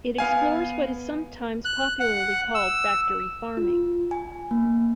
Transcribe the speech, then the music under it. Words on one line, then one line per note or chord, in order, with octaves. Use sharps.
It explores what is sometimes popularly called factory farming.
B3 F5 G#5
F#6
F#5
E6
F4
G#5
A#3